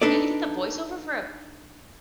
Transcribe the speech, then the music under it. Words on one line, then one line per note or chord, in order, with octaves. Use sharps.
He he did the voiceover for a
D4 D#4 A4 B4 D5